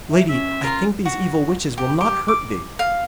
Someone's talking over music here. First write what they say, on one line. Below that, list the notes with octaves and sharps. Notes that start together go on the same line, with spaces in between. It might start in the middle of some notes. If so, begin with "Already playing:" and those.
'Lady, I think these evil witches will not hurt thee.
E5
C#4 E5
F4 A#4 C6
F#4
G4
G4
D6
F5